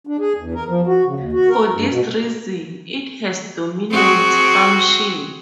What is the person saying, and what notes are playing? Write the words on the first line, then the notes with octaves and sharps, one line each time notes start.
For this reason, it has dominant function.
D4
G#4
E2
A#4
F3
F#4
C#3
D#2
F#4
A#4
G2
B2
C4 F#4 G#4